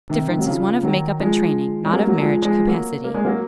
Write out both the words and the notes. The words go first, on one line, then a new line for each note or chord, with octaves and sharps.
This difference is one of make-up and training, not of marriage capacity.
C3 D#3
C3 D#3
F#3
C#3 F3
D#3 F#3
F3 G#3
G#3
F#3 A#3
F#3
F3 G#3
F3 G#3
F#3 A#3
A#3
G#3
F#3 A#3